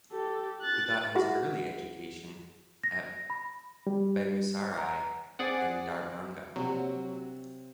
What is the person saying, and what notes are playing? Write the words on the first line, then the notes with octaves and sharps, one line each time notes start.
He got his early education at Begusarai and Darbhanga.
G4 A4
F#6 A6
E4 F#4 G#4 E5 F#5
A#6
B5
G3
A#5
C4 G#4 D5 F#5
A#1 C3 F#3